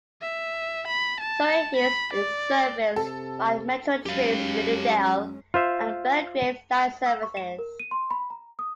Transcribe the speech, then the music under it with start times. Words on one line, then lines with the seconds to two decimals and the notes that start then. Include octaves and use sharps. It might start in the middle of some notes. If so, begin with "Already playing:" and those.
Surrey Hills is serviced by Metro Trains' Lilydale and Belgrave line services.
0.22 E5
0.87 B5
1.20 A5
1.76 B5
2.13 D5
2.96 C3 A4
4.06 F#2 G#3 C#4 G4 F5
5.54 F4 C5 E5
7.06 E6
7.23 C#6
7.37 E7
7.59 A#4
7.80 D#7
7.91 C6
8.11 B5
8.30 A#5
8.59 D#6